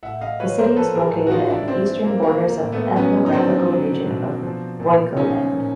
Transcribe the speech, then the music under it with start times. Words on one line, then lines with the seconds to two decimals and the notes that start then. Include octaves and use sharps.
The city is located at the eastern borders of ethnographical region of "Boyko Land".
0.03 A2 E5 F#5
0.21 D#5 F5
0.40 F3 B4 C#5
0.58 A#4 C5
0.76 F3 A4 B4
0.95 G#4 A#4
1.13 A2
1.27 F#4
1.31 D#4 F4
1.50 E3 D4 E4
1.68 C4 D4
1.87 E3
2.04 A#3
2.23 E3 A#3
2.47 A#3
2.60 A2
2.72 A3 B3
2.96 F#3 B3 C#4
3.26 D#4
3.33 F#3 C4 D4
3.70 F#3
4.06 B2
4.43 F3
4.80 A#2
5.17 F3 C#4 D#4
5.53 A#2